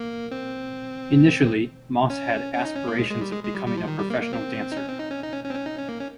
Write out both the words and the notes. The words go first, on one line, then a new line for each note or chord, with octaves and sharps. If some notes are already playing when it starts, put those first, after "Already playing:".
Initially, Moss had aspirations of becoming a professional dancer.
Already playing: A#3
C4
C#4
C#4
D#4
C#4
A#3
G#3
G#3
G3
G#3
G#3
G3
G3
F3
D#3
G3
A#3
A#3
C4
D#4
C#4
C4
D#4
C#4
D#4
C#4
C#4
C4
C#4
D#4
C#4
A#3
C#4